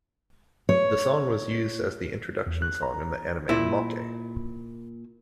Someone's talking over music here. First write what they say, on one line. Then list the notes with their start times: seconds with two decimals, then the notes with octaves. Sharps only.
The song was used as the introduction song in the anime Mokke.
0.69 C#5
2.46 E2
2.62 F#6
2.83 A#5
3.49 A#2 E4